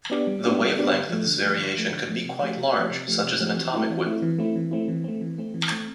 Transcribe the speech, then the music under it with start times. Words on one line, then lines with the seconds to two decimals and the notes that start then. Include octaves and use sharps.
The wavelength of this variation could be quite large such as an atomic width.
0.10 B3 D4 G4 D5
0.27 G3
0.44 B3 D4 G4 D5
0.60 G3
0.76 B3 D4 G4 D5
0.92 D3
1.09 F3 A3
1.26 D3
1.42 F3 A3
1.58 D3
1.75 F3 A3
1.91 D3
2.08 F3 A3
2.25 C3
2.41 F3 A3 C4 G4
2.57 C3
2.74 F3 A3 C4 G4
2.90 C3
3.08 F3 A3 C4 G4
3.23 C3
3.40 F3 A3 C4 G4
3.56 E3
3.73 A3 C4 E4
3.90 E3
4.05 A3 C4 E4
4.22 E3
4.39 A3 C4 E4
4.56 E3
4.71 A3 C4 E4
4.88 E3
5.04 A3 C4
5.21 E3
5.38 A3 C4
5.54 E3
5.71 A3 C4